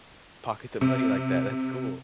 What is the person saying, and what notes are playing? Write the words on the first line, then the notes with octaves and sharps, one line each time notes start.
Pocket the money like that, that's cool.
C3